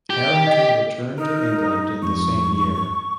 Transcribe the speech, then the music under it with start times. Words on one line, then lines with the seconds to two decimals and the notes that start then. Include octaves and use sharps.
Harrington returned to England in the same year.
0.10 G4
0.47 D#5
1.18 D#4 A#4
2.02 F2 G#2 C#6